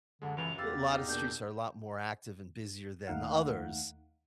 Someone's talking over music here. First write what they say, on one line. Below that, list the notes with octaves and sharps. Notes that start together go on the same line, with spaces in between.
a lotta streets are a lot more active and busier than the others,
F#2 D3 G#3
C#2 F#2 E3 F7
E2 G4 B4 F5 E6 A6
D#4 D#5 F5
B2 A#3 D4 G6
D#2 A3 D#4 F5 F#5